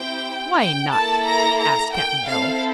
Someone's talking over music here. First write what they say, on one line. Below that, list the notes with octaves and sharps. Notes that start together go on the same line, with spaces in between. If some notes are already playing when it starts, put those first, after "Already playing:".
"Why not?" asked Cap'n Bill.
Already playing: C4 E4 G4 G5
G5
A#3 E4 A4 A5
A#5
A#5
G5
C4 E4 A4 F5